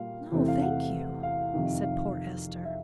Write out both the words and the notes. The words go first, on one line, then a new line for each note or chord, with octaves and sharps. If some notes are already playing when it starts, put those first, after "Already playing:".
"No, thank you," said poor Esther.
Already playing: A#2 G3 A#3 F5
E2 C3 E3 A3 C4
F5
F#5
F5
F2 C3 D#3
F5
E5